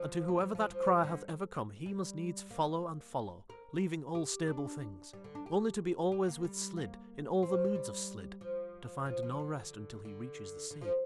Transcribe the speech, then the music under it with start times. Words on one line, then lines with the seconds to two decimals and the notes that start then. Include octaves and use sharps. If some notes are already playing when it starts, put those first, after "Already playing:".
And to whoever that cry hath ever come he must needs follow and follow, leaving all stable things; only to be always with Slid in all the moods of Slid, to find no rest until he reaches the sea.
Already playing: F3
0.28 A#3
0.41 G3
0.55 F3
0.71 F3
0.87 G3
1.04 D3
1.86 G3
2.51 A#3
3.50 A#4
4.15 G4
4.47 D4
5.13 G3
5.24 D3
5.35 D4
5.46 G4
6.12 G4
6.28 A#3
6.44 G3
6.77 A#3
7.43 C4
7.54 F3
7.65 G3
7.75 G3
8.41 F3
9.06 F3
9.23 F3
9.40 D3
10.05 D3
10.71 D3
10.81 F3